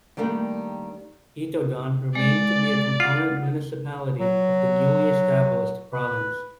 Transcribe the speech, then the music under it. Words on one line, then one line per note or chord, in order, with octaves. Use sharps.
Itogon remained to be a component municipality of the newly established province.
D#3 G3 A3 A#3 D4
G#3 D5
F4 F#5
F#3
B4